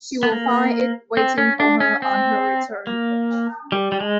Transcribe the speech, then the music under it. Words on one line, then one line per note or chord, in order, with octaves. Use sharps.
She will find it waiting for her on her return.
B3
A#3
C4
C#4
D4
C#4
C4
A#3
G3
G3
G#3